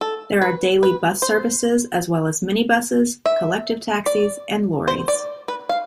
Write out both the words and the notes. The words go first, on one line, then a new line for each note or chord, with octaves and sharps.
There are daily bus services as well as minibuses, collective taxis and lorries.
A4
B4
B4
C5
E5
D5
C5
D5
B4
F5